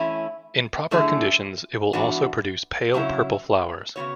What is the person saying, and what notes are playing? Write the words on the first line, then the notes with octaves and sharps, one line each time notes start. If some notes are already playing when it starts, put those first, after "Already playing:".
In proper conditions, it will also produce pale purple flowers.
Already playing: E3 A3 C#4 E4
F#2 D3 A3 E4 G#4
G#2 E3 B3 D4 F#4
C#3 F#3 C#4 E4
C#3 E3 B3 F#4 C#5